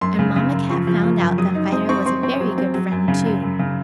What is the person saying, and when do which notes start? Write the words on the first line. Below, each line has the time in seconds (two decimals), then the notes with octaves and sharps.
And Mamma Cat found out that Fido was a very good friend, too.
0.01 F#2 C6
0.19 C#3
0.36 C#3
0.53 F#2
0.70 F3 C#6
0.87 F3
1.03 F3
1.21 F#2
1.38 F#3 D#6
1.55 D#4
1.72 C4 D#6
1.89 C4 C#6
2.06 C4 C6
2.23 C4
2.40 F#3
2.58 C4
2.74 F#3
2.92 F#2
3.08 C#3
3.26 F#2
3.42 F#2
3.59 C#3